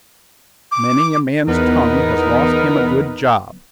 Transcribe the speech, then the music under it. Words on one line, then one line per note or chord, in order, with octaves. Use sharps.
"Many a man's tongue has lost him a good job."
D6
E2 B3 D#4 A#4 B4